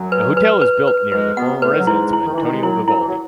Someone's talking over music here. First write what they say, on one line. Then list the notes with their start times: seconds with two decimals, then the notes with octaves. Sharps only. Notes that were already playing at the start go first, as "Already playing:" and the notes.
The hotel is built near the former residence of Antonio Vivaldi.
Already playing: F#2 F#3
0.12 B4
0.37 B4
0.62 B4
0.88 B4
1.12 G#2 G#3 B4
1.37 B2 B3 F#5
1.62 A2 A3 B4
1.78 F#3
1.87 G#2 G#3 E4
2.13 E4
2.26 D#3
2.33 E3
2.38 D#3 E4
2.52 G#3
2.63 F#2 F#3 E4
2.88 F#2 F#3 E4
2.99 E3
3.07 F#3